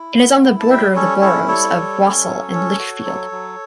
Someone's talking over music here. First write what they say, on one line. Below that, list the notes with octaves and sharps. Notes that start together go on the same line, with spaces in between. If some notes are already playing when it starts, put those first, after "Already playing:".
It is on the border of the boroughs of Walsall and Lichfield.
Already playing: E4
B3
E4
A5
G3 E5 G5
C#4 A4 C#5
E4 A4 C#5
G3 A4 C#5
G3
C#4
F#3
C#4
F#4
F#3
F#3